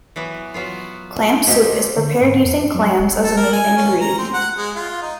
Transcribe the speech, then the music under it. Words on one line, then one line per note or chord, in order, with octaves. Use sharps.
Clam soup is prepared using clams as a main ingredient.
E3 F#3 B3
F#3 B3 F4
D2 G4 C5 D#5
D3
G#2
F2
F#3
D#1
A4
A#4
G#5
C#4
A#5
C4
F#5
G#3
F4
D#4